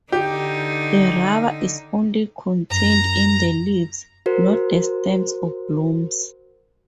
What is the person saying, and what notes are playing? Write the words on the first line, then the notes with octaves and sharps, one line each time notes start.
The rubber is only contained in the leaves, not the stems or blooms.
D3 D#4 G4
F#2 A#5
F#4 A#4 C5